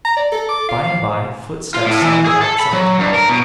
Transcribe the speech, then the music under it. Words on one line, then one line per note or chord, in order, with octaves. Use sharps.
By and by footsteps sounded outside the door.
A#5
D5
A4
D6
F5
F5
F4
A2
E3
G#4
A4
B5
F#3
G2
A#4
B2